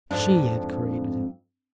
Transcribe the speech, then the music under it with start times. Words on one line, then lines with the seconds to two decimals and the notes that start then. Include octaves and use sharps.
She had created him.
0.11 F2 G#2 D4